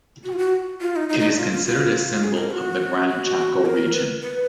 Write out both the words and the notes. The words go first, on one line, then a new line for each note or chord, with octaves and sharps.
It is considered a symbol of the Gran Chaco region.
F#4
F4
F#4
F4
D#4
D#4
D#4
D4
F4
F4
F4
G#4
A#4
F#4
F#4
A#4
B4
B4